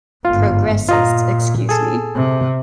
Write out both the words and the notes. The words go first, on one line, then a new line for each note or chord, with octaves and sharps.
progresses, excuse me.
G1 G#2 F4
A#2 F4 D#5 A#5
G#4 A4
C3